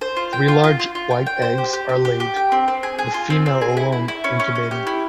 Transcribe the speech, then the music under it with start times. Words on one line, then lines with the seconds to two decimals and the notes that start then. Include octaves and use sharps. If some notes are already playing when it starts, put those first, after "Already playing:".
Three large white eggs are laid, the female alone incubating.
0.01 C5
0.16 F4
0.33 G5
0.48 F4
0.64 F4
0.79 F4
0.95 F4
1.11 G5
1.26 G5
1.42 C5
1.58 G4
1.73 G4
1.89 G4
2.05 G4
2.20 G4
2.36 G5
2.52 C4
2.68 C4
2.83 G#4
2.99 G#4
3.14 F4
3.30 C4
3.46 C4
3.62 G#4
3.77 E4
3.92 E4
4.08 E4
4.24 C#4
4.40 C#4
4.55 C#4
4.71 G4
4.87 E4